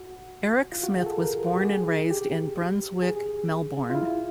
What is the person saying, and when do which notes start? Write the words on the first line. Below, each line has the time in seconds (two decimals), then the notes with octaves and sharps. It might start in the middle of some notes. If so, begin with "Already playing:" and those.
Eric Smith was born and raised in Brunswick, Melbourne.
Already playing: F#4
0.72 F4
0.83 F#4
0.95 G#4
1.06 A4
1.18 A#4
1.47 F#4
1.56 G4
1.64 G#4
2.11 G4
3.02 G#4
3.90 F4
3.95 E4